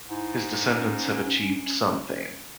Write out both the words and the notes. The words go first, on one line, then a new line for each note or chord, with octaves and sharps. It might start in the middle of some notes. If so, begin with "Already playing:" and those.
His descendants have achieved some fame.
G#2 E4
C#4